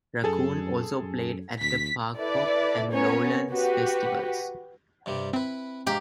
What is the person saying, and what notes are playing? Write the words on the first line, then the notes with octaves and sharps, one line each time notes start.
Racoon also played at the Parkpop and Lowlands festivals.
F#2 G#4 A4
F#2
D2 B6
E4 A4 B4 D5
B3 C#4 A#4 C#5
F#4 G4 B4
G2 C3 G3
C4 E4 B4
G#2 G4 F5 A#5